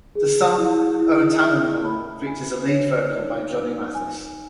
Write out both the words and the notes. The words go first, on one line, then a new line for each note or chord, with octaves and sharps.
The song "O Tannenbaum" features a lead vocal by Johnny Mathis.
G#4
E4
E4
E5
B5
G#5
C#5
D#4
D#4
G#5